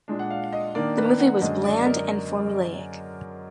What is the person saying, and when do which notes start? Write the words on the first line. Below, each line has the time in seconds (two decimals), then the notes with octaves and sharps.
The movie was bland and formulaic.
0.08 A#2 G#3 D4
0.19 F#5
0.30 F5
0.53 D#5
0.75 D#3 A#3 D4 D5
0.98 B4
1.19 F#5
1.42 F#2 D3 G#3 D#5
1.64 D5
1.86 A#4